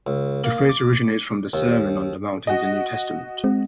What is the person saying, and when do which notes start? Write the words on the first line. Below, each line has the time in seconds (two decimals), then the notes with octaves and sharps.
The phrase originates from the Sermon on the Mount in the New Testament.
0.07 C#2
0.44 A#3
0.69 D6
1.53 D#2
2.47 F#4 D#5
3.44 G#3 C4